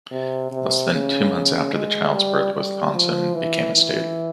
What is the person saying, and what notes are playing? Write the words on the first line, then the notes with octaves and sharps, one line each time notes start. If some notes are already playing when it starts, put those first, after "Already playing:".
Less than two months after the child's birth, Wisconsin became a state.
C3
C3
C#3
G#3
G3
G3
F3
E3
E3